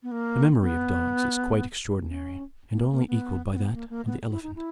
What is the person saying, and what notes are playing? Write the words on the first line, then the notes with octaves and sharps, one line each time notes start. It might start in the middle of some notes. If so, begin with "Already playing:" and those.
The memory of dogs is quite extraordinary, and only equalled by that of the elephant.
B3
A#3
B3
C#4
A#3
A#3
B3
C#4
B3
A#3
A#3
B3
E4
D#4
E4